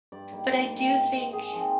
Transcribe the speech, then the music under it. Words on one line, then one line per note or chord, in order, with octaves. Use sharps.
but I do think
G2 D5
D#3 G3 A#3 D5
D3 A#4
G3 C4
G#2
D#3
G#3
G#2 G#4
F3 C4